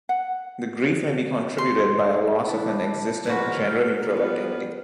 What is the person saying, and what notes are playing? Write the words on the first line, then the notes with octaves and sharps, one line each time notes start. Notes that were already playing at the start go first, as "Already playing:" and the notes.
The grief may be contributed by a loss of an existent gender-neutral identity.
F#5
C6
D4 E4 A5
G#2 F#4 A#4 B4 F#5
F3 G3 B3